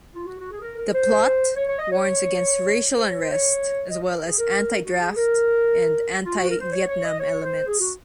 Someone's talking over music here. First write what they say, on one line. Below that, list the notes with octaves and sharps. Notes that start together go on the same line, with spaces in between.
The "Plot" warns against "racial unrest," as well as "anti-draft" and "anti-Vietnam" elements.
F4
F#4
F#4
G#4
A#4
A#4
C5
C#5
C#5
D#5
C#5
C5
C#5
C5
C#5
D#5
C#5
A#4
G#4
A#4
F#4
G#4
A#4
F4
F#4
A#4
C5
C#5
C#5
D#5
C#5
C5
G#4
F#4